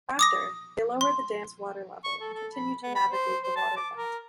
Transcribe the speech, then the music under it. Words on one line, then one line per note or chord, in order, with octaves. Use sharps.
After, they lower the dam's water level and continue to navigate the water plant.
D6 D#6 A#6
C6
C#6
A4
A4
B5
B3
B5
C5
C5
A5
D6
A#4